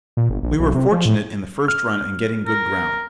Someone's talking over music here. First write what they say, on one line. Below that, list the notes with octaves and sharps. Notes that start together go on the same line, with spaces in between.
We were fortunate in the first run in getting good ground.
A#2
G1
A#1
B1
C3
F3
A2
F6
A#4